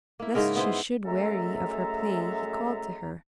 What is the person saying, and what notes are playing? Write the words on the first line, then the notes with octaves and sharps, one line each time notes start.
Lest she should weary of her play he called to her.
A#3 E4
G#2 C#3 G#3 A#4
B3 E4 C5
F#2 G#3 A3 A4 E5 A#5